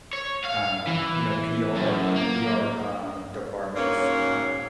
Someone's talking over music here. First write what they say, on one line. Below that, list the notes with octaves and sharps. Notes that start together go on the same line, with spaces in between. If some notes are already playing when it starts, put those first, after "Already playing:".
um, you know, PR PR, um, departments. Uh,
C#5
F5
E3
F#2
A#3
G#2 F#3 A#3 C#4